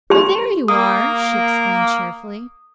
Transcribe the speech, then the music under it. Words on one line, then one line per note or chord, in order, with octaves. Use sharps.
"Oh, there you are!" she exclaimed cheerfully.
G4 C6
A#3 D#6